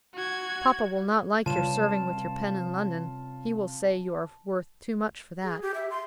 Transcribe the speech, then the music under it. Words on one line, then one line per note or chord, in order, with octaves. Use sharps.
"Papa will not like your serving with your pen in London: he will say you are worth too much for that."
F#4 G#6
C3 G3 C#4 F4 B4 C#5 A5 E7
G#4
G4
E5
C6